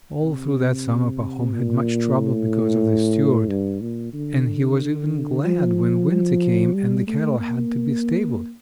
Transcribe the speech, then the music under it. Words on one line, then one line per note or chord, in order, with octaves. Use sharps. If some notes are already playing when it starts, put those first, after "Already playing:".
All through that summer Pahom had much trouble because of this steward; and he was even glad when winter came and the cattle had to be stabled.
C3
A#2
A2
G2
A#2
D3
F3
G3
A3
A#3